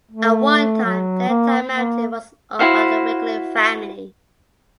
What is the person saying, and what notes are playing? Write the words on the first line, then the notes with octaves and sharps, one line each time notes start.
At one time the entire mountain was owned by the Wigley family.
A3
F#3
A#3
A#3
E4 F#4 C5 F5